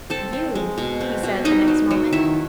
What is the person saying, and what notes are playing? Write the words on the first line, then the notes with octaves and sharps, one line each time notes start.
"You?" he said, the next moment.
C4 A4 A5
C4
G#3
B2
C4
B2
F#3 D#4 D#5
F#3
F#3
D#3 E4 E5